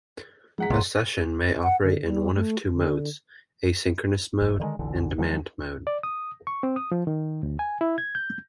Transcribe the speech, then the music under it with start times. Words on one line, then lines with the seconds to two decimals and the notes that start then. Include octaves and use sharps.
A session may operate in one of two modes: "asynchronous mode" and "demand mode".
0.58 G#2 F3 G#4 F#5 A#5 B6
0.70 F1 C#2 B2 G#3 A#3 C6
1.63 F#5
1.84 D3
2.06 G3
2.34 A3
2.70 D3
4.42 F1 F#2
4.60 D3 D#3 F#3 G#3
4.79 F1 B1 D3 E3
5.18 D#3 F3 F#3 G#3
5.87 D5
6.03 D#6
6.47 C#6
6.63 C4
6.76 D#6
6.92 F3
7.07 D#3
7.43 D2
7.59 G#5
7.81 E4
7.98 G#6
8.15 G6